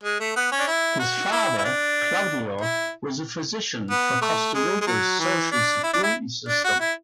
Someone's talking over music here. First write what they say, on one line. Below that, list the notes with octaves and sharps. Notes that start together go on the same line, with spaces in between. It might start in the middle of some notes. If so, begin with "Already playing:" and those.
His father, Claudio, was a physician for Costa Rica's social security system.
G#3
A3
B3
C#4
D4
E4
F#4
E4
E4
D4
E4
B3
A3
G#3
G#3
F#3
E3
D4
E4
D4
E4
D4
F#4
E4